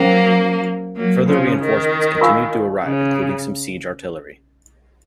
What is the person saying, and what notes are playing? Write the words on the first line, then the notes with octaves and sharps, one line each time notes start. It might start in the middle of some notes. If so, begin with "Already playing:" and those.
Further reinforcements continued to arrive including some siege artillery.
Already playing: F#3 A#3 C#4 C5
F#3 A#3
C#3 F3
D#3
F4 A#4 F5 G#5 C#6
C#3